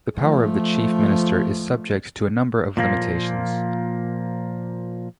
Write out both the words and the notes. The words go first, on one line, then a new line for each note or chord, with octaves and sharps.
The power of the chief minister is subject to a number of limitations.
F3 A3
A#2 F3 A#3